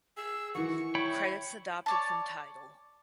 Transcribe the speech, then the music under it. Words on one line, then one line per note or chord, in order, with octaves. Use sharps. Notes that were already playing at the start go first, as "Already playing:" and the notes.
Credits adopted from Tidal.
G#4 E6
D#3 E3 F#4 C#6
E4 C#5 G5 B5
C#5 D5 A5